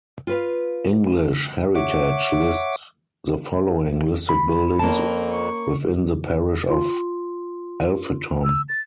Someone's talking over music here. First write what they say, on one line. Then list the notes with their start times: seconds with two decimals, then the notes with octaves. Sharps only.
English Heritage lists the following listed buildings within the parish of Alpheton.
0.27 F4 B4 F5
1.75 C#5 E5 F#5 D6
4.29 B5
4.79 F2 A#3 C#4 A#4 A5
5.32 C#6
6.69 F4 C6
8.44 E6
8.69 A6